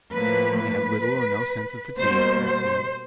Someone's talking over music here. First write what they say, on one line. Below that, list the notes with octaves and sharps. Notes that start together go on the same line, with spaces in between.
They had little or no sense of fatigue, it would seem.
A2 F3 A#3 B4
B4
B2 G3 A#3 C5
C5